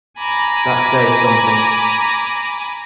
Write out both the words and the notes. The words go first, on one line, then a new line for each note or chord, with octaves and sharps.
That says something.
G#5 A#5 B5 D6